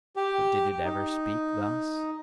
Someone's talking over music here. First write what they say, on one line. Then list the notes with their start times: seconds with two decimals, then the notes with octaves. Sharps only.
But did it ever speak thus?
0.16 G4
0.84 D#4